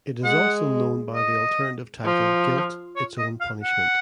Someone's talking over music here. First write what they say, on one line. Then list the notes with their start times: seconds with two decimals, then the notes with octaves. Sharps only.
It is also known by the alternative title Guilt Its Own Punishment.
0.24 G#3 F#5
1.14 D#5
2.05 F3
2.96 C#5
3.18 D#5
3.40 F5
3.63 F#5